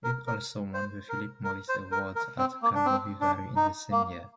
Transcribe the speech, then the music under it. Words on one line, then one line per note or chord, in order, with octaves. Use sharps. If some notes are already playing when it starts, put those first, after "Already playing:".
It also won the Philip Morris Award at Karlovy Vary in the same year.
A#4
A#4
C5
A#4
A#4
C5
A#4
A#4
C4
A#3
D4
C4
D4
D#4
A#3